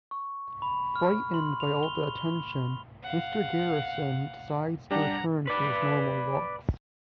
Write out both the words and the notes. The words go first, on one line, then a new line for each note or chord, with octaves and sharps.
Frightened by all the attention, Mr. Garrison decides to return to his normal looks.
C#6
B5
F6
C6
F7
G7
G7
F5 F#5
G3 D4 G4 F#5 A#5
B4 D5